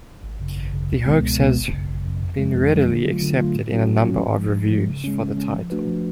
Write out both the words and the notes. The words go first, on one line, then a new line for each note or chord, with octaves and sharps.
The hoax has been readily accepted in a number of reviews for the title.
G#1
F#2 C#3
G#1
F#2 C#3
C#2
B2 G#3 B3
C#2
B2 G#3 B3
G#1
F#2 C#3
G#1
F#2 C#3
F2
F3 G#3
F2
F3 G#3
D3
F#3 A3 F4
D3
F#3 A3 F4
A2
F#3 C#4 F#4
A2
F#3 C#4 F#4
G#2
F3 G#3
G#2
F3 G#3
C#3
G#3 C#4
C#3
G#3 C#4
F3
A3 D4 F#4 B4
F3